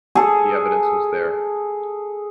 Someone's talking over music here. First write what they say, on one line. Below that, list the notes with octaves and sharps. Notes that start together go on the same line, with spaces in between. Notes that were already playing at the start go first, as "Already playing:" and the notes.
The evidence was there.
G#4 A4